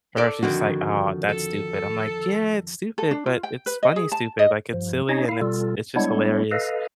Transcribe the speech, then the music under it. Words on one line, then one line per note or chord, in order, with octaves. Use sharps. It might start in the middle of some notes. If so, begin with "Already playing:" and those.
for her she's just like, "Oh, that's stupid." I'm like, "Yeah, it's stupid, but it's funny stupid, like, it's silly and it's it's just hilarious."
A4 D5
F2 D3 D#3 F#4
A4
A4
D4
F4
G5
B4
D#5
G#4
A5
D#5
G2 F3
C#4 D#4 C#5 D#5
E4 F5
B2 G3 F4 A4
G3 G#3 B3 D4 E4 C#5
A4 B4 D#5 F5